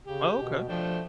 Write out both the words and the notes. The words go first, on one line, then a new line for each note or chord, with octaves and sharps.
Oh, okay.
C#3 G4
B2
F3 A3 D4 G5